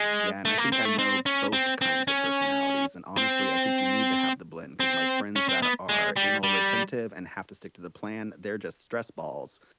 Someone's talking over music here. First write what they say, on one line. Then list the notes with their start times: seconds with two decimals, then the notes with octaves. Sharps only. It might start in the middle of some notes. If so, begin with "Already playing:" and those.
Yeah, and I think I know both kinds of personalities. And honestly, I think you need to have the blend, 'cause my friends that are anal-retentive and have to stick to the plan, they're just stress balls.
Already playing: G#3
0.45 A3
0.58 A#3
0.72 C4
0.85 A3
0.99 C4
1.26 C#4
1.53 C4
1.82 C4
2.08 C#4
3.17 C4
4.80 C4
5.36 C#4
5.49 C4
5.62 B3
5.89 G#3
6.16 G3
6.44 G3